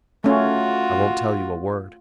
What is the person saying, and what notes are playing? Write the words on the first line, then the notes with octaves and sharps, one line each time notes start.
"I won't tell you a word."
A3 C#4 F4 F#4